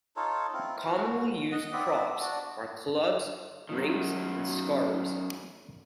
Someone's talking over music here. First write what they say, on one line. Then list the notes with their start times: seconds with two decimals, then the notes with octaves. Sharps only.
Commonly used props are clubs, rings and scarves.
0.16 D#4 F4 A4 C#5
0.53 C4 E4 F4
0.85 F#4
1.52 D#5 F#5
1.73 B3 C4 D5 E5
2.21 D4 F#4 D5
3.69 F#2 D#3